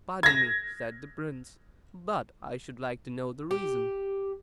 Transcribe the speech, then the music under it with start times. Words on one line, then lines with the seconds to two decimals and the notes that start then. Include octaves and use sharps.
"Pardon me," said the prince, "but I should like to know the reason."
0.23 G#6 A#6
3.51 G4